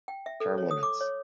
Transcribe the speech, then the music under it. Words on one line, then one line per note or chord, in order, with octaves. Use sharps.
Term Limits.
G5
E5
A4
C#5
D#6
D6
C#5